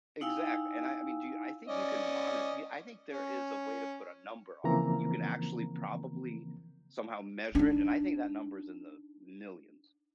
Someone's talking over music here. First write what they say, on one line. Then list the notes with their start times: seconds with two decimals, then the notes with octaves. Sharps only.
Exact and I I mean, do you I think you can monit you I think there is a way to put a number on it. You can actually, probably, somehow measure it, and I think that number is in the millions.
0.21 D#4 E4 F5 G5 G#5 E6
1.68 C#4 D5 D#5
3.12 C#4
4.64 C#3 E3 F3 A#3 C4 A#5
7.55 D4 D#4